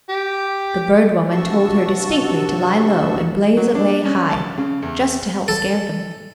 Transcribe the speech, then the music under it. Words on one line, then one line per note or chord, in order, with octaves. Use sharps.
The Bird Woman told her distinctly to lie low and blaze away high, just to help scare them.
G4
G2 C3 F#4 A5 C#6 E6
F#3
D4
C#4
A5
C#3
E2
A4